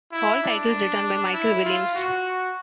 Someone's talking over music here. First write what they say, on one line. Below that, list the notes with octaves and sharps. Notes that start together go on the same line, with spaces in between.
All titles written by Michael Williams.
E4
D4
E4
F4
F#4